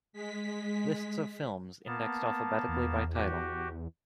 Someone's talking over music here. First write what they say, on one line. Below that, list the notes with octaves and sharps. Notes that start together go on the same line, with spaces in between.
Lists of films indexed alphabetically by title.
G#3 B6
A#3 B3 A5
E2
F#4 G4